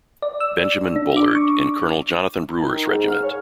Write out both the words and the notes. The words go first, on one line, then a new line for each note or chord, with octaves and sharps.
Benjamin Bullard in Colonel Jonathan Brewer's regiment.
D5
E6
D4
D6
C#6
D#3
G#2
F6
C#5